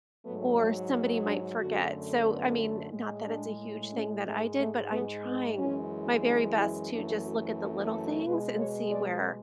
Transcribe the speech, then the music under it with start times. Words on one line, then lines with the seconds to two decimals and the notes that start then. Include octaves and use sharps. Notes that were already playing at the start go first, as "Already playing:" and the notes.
or somebody might forget, so, I mean, not that it's a huge thing that I did, but I'm trying my very best to just look at the little things and see where
0.25 G#2 F#3 A3 B3
0.58 A3
1.25 D4
1.58 F#2 D3 A3 F#4
2.25 B3
2.91 A2 G#3
3.25 D4
3.92 C#4
4.25 G#2 G#3 A3
4.59 A3
4.92 B3
5.24 B3
5.58 F#2 E3 G#3 C#4
6.25 D4
6.58 E4
6.91 F#2 E3 A3 D4
7.24 F#4
7.58 A4
7.91 A4
8.25 B2 G#3 B4
8.58 C#5
8.92 D5